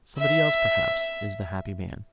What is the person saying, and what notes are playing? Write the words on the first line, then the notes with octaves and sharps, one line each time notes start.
"Somebody else, perhaps, is the happy man?"
E5